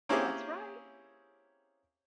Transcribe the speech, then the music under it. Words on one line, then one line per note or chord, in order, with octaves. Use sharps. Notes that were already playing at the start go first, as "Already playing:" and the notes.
That's right.
A#3 C4 C#4 E4 G4 G#4